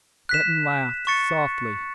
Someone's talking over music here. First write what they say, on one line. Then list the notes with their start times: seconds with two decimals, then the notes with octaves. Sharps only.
Breton laughed softly.
0.29 F#6 B6 E7
1.07 C#6 A6 C#7